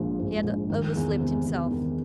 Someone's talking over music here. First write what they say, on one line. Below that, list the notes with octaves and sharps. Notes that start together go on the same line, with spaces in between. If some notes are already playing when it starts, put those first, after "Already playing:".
He had overslept himself!
Already playing: A#1 G#2 F3
G#2
A#1
D#3
E2
C3
E2
D#3